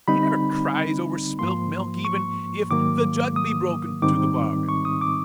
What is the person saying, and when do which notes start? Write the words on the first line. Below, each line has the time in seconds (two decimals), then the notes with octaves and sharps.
He never cries over spilt milk, even if the jug be broken to the bargain.
0.08 D3 G3 C4 D#4 B5
1.39 G#2 F3 A#3 C6
2.05 C#6
2.70 G#2 D#3 F#3 A#3 D6
3.36 D#6
4.02 G#2 D#3 G3 C4 D#4 D6
4.69 C#6
4.85 D#6
5.01 D6